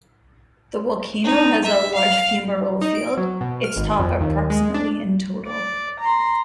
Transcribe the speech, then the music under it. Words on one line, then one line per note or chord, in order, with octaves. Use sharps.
The volcano has a large fumarole field, its top approximately in total.
D#4
E5
F5
D#4
D7
F#3
B2
F6
G#1
F2
D#2
G#3
D4
D5
A#5 C6